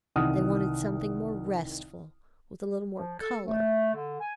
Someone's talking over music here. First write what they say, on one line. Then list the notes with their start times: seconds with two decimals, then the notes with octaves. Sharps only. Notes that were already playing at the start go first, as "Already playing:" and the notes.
They wanted something more restful, with a little more colour.
0.16 C2 D#3 E3 F#5 D#6 F6
2.96 F3
3.20 A4
3.45 A3
3.93 D3
4.21 G#5